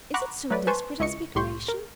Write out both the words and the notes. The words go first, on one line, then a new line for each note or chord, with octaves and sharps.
Is it so desperate a speculation?
F#5 A#5 B5 C#6 D6 F#6
F#3 A3 B4 D5
B4 C5 G#5 A5 C6 C#6
C#2 E4 D#5 C#6 C#7
C2 A2 G4 C6 C#6 G6
A#4